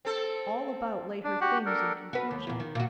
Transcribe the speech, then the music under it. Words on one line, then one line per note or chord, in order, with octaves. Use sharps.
All about lay her things in confusion.
C4 A4
D4
F#4 G4 F#5
D4 A4 A#4
F#4 B4
D#2
E2 A#2
D#3
A#2 F#4